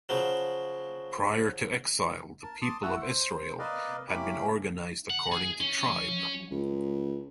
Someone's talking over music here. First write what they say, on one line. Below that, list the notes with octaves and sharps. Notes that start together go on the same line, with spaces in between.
Prior to exile, the people of Israel had been organized according to tribe.
C#3 F3 F#3
A#4 A5
A5 C6 D6 D#6
A3 E4 F#4 F#5 E6
C5
A#4 B4 D5 D#5 F5
A#3 C#4 E4 G4 B5 D6
F#5
G#4
C#4
C#2